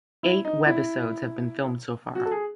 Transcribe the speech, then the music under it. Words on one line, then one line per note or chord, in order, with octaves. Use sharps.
Eight webisodes have been filmed so far.
E4
D#4
E4
F#4
A4
G#4